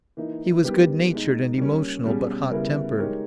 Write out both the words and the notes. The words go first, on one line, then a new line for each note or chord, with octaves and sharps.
He was good-natured and emotional, but hot-tempered.
E3 A#3 D#4
D#3 G3 B3 G4 B4
B2 G#3 D#4
G3 A#3 C#4
B2 G3 C#4 G#4
C#3 G3 B3 E4 A#4
G#3 D#4 G4 A#4 C#5